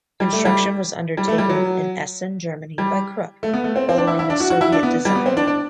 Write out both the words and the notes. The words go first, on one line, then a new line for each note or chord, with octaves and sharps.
Construction was undertaken in Essen, Germany by Krupp, following a Soviet design.
G3
A3
G3
G3
A3
G3
F#3
G3
A3
B3
A3
C4
C4
D4
E4
E4
D4
F#4
F#4
E4
D4
B3
G3
B3
C4
D4
D4